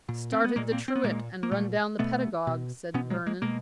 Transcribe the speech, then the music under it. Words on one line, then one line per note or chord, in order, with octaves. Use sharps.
"Started the truant and run down the paedagogue," said Vernon.
A#2
C4
B3
A#2 G#3 A#3
A#3 C4
C4
B3
A#2 G#3 A#3
A#3
A#2 G3 A3
B2 A3 B3
B2
B2 B3 C#4
F#3 G#3
G#3 A#3
B2 G#3 A#3